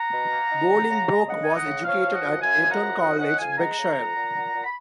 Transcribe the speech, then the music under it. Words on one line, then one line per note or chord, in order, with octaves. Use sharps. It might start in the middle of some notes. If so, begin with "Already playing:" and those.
Bolingbroke was educated at Eton College, Berkshire.
Already playing: F#5 A#5
B2
A#3
D#4
C#3
C#3
G#3
C#3 D#5 F#5
D#4 G#5
D#5 F#5
C#3
F3 C#5 F5
F3
D#5 F#5
F#2
F#2 F5 G#5
F3
F#5 A#5
F#2
F2 D#5 F#5
C#4 D#5 F#5
F2 F5 G#5
G#3 F#5 A#5
C#3
F2
A#2
A#2
A#2
B5